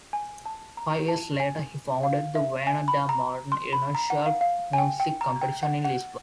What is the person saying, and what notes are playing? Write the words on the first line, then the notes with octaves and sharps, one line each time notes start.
Five years later, he founded the Vianna da Motta International Music Competition in Lisbon.
G#5
A5
A#5
A5
G#5
F5
E5
G#5
B5
A#5
C6
B5
A#5
F#5
F5
F5
G#5
G5
G5
A#5
G5
F#5
F#5